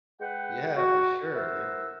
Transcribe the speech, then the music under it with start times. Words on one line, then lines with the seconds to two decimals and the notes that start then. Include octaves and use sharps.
Yeah, for sure, dude.
0.21 G#3 B4 F#5 G5
0.76 F#4
1.34 E4 A#4 C5 F#5 E6